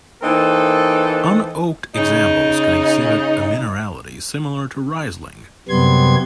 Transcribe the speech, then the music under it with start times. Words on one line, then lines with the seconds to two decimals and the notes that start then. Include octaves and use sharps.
Unoaked examples can exhibit a minerality similar to Riesling.
0.22 E3 A#3 C4 D#4 A4
1.95 C#3 D#4
5.69 F#2 C3 G3 B3 C6 G#6